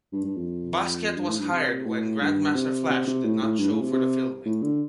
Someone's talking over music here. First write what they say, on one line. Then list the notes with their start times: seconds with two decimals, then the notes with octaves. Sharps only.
Basquiat was hired when Grandmaster Flash did not show for the filming.
0.12 G2
0.24 G2
0.36 F2
1.16 G2
1.28 A2
1.39 G2
1.50 C3
1.86 A2
2.21 G2
2.55 C3
2.90 C3
3.07 C3
3.25 A2
3.42 A2
3.59 G2
3.71 A2
3.81 C3
3.93 C3
4.45 A2
4.63 D3